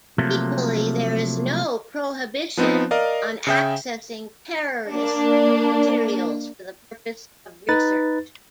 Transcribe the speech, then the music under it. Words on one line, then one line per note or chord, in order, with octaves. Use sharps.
Equally, there is no 'prohibition' on accessing terrorist materials for the purpose of research.
C3 F3 F#3 A3 A#3
F3 B3 C4 D#4
A#4 D5 D#5 F5
C#3 G#4 E5 G5 G6
A#3 D4
D#4 B4 A6